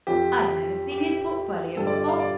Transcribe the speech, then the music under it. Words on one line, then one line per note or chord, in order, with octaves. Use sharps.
I've never seen his portfolio before.
F2 F3 G4
G4
G2 D3 G3 A4
D5
D5
F5
D5